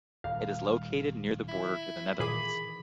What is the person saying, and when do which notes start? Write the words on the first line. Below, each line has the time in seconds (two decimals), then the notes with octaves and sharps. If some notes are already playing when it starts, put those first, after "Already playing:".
It is located near the border to the Netherlands.
0.24 D#1 F5
1.48 E4
2.20 A#2 D#3 E3 G#4 B5 D6